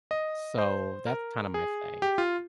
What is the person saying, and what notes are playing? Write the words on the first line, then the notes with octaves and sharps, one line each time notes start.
so that's kinda my thing.
D#5
C5
A#4
G#4
G4
F4